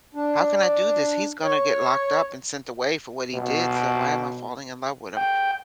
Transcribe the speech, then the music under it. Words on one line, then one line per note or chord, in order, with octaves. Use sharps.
how can I do this? He's gonna get locked up and sent away for what he did, so why am I falling in love with him?"
D4
C#5
B2
G5